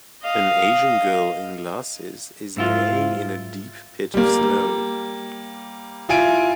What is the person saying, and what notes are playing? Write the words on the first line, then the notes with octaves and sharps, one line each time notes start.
An Asian girl in glasses is laying in a deep pit of snow.
D#5 F5
G#2 E4 F4
G3 A#3
E4 F4 G#5 D7